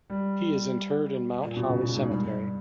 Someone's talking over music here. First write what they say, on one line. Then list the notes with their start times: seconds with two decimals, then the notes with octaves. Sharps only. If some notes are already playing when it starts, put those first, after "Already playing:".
He is interred in Mount Holly Cemetery.
0.10 G3
1.44 A#2
1.56 B2
1.69 C#3
1.82 B2
1.96 G#2
2.09 G2
2.25 G2